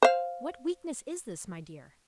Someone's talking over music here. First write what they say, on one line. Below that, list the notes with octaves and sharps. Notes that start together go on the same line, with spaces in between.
What weakness is this, my dear!
C5 F5